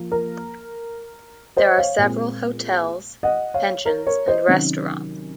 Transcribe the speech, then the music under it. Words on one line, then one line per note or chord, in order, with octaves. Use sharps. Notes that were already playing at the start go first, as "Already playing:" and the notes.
There are several hotels, pensions and restaurants.
Already playing: F3 A#3
A#4
C5 D#5
C#5 F5
A#2 G#3 C4
D#5 F#5
C#5 F5
A#4 C#5
A#4 C#5
C5 D#5
C3 D#3 F#3 C#4